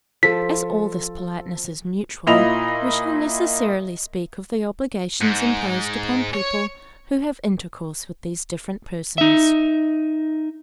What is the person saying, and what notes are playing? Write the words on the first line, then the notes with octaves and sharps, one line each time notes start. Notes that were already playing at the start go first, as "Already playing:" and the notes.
As all this politeness is mutual, we shall necessarily speak of the obligations imposed upon people who have intercourse with these different persons.
F3 A4 B6
A#2 E4 F4 D#5 B5 F7
G#2
C#5
D#4 E5